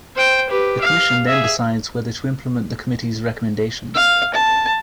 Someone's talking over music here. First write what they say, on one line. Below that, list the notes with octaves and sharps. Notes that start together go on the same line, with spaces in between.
The Commission then decides whether to implement the Committee's recommendations.
C5 G5
G4 B4
F5
G#4 E5
F5
A5